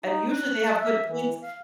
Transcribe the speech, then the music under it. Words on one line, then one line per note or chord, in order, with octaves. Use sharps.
and usually they have good points
D#4
F#6
E5
E3
F5